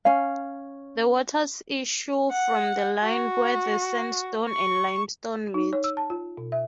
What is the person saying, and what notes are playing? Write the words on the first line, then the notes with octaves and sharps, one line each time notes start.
The waters issue from the line where the sandstone and limestone meet.
C#4 F5
F#5
F#4
C#6
D#4
C#5
E6
A5
F4
B2
E5